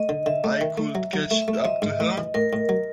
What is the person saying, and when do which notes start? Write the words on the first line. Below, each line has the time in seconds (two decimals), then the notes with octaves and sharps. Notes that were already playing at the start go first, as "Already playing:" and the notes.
I could catch up to her.
Already playing: A3 D#5
0.09 D3
0.26 D3 E5
0.44 A3
0.61 D#3
0.78 A3
0.95 F#3
1.13 F#3
1.30 A3 E5
1.42 E5
1.48 A3
1.54 E5
1.65 F3 D#5
1.82 G#2
2.00 A2
2.18 E3
2.34 A2 A#4
2.53 A2
2.69 F#3